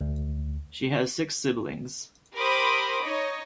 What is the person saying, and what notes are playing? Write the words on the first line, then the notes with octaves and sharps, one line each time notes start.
She has six siblings.
D2
G4 A#4 C5 B5 D6 D#6
D#4 C#5 D#5